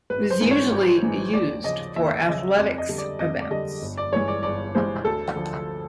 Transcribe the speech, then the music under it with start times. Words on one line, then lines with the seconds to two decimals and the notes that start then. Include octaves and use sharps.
It is usually used for athletics events.
0.10 G#1 B4
0.30 C5
0.41 G#2 E3 G#3
0.51 C#5
0.72 G#1
1.03 G#2 E3 G#3
1.33 D#2 D5
1.64 C#3 F3 D#5
1.96 D#2 E5
2.27 C#3 F3 D#5
2.57 F2 D5
2.78 D#5
2.89 D3 G3
2.98 D5
3.19 F2 D#5
3.41 D5
3.51 D3 G3 D#5
3.82 G1
3.97 D5
4.12 G2 E3 G#3 C#5
4.28 D5
4.43 G1 D5
4.75 G2 E3 G#3 C5
5.05 D2 A4
5.36 D3 F3